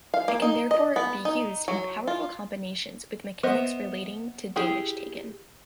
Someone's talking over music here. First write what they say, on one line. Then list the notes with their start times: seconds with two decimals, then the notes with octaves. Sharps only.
It can therefore be used in powerful combinations with mechanics relating to damage taken.
0.14 F5
0.28 A#3
0.42 D#4
0.71 D#5
0.96 B3
1.25 D#4
1.68 F#3
2.07 F4
3.43 B3 C5 D#5 E5
4.56 E4 G4 G#4